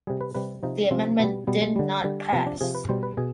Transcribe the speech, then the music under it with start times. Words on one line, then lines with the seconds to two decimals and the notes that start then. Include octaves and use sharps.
The amendment did not pass.
0.07 C3 G3 G#4
0.21 B4
0.34 C3 G3 B4
0.63 C3 F3 D#4
0.91 C3 F3 C4
1.19 B2 G3 B3
1.47 B2 G3 B3
1.62 G#3
1.76 D3 G3
2.04 D3 G3
2.32 C3 F3 B3
2.47 D4
2.61 C3 F3 G#4
2.75 B4
2.89 B2 G3 C5
3.03 B4
3.17 B2 G#4